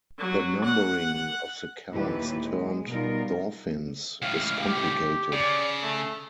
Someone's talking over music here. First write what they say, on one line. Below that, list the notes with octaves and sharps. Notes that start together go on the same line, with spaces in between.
The numbering of the Counts-turned-Dauphins is complicated.
F#3
F#5
D#2 A#2 E3 E4 G4 B4
G#3
B2 G3 B3 D#4 F4 A#4
C#2 A2 F5
G4
C#3 D5
A3